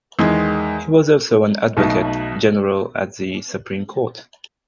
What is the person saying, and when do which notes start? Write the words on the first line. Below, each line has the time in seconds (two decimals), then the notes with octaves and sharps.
He was also an Advocate General at the Supreme Court.
0.19 E2 D#3 G#3
1.77 B1 B2 A3 D#4